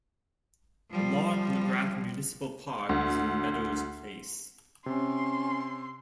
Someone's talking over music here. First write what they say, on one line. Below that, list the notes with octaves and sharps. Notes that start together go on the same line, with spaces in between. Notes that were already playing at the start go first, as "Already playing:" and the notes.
The Mark McGrath Municipal Park is in Meadows Place.
F3 G3
D2
C3 C#4 C6